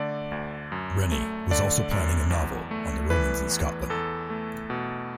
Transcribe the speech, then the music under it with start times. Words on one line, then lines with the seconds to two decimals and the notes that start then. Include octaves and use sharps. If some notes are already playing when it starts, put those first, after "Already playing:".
Rennie was also planning a novel on the Romans in Scotland.
Already playing: D3 A3 D5
0.32 D2
0.72 F#2
1.11 A3
1.51 D3 D5
1.91 F#2
2.31 E2
2.71 A3
3.10 E3 B4
3.51 E2
3.90 E2 A4
4.30 A3
4.70 B2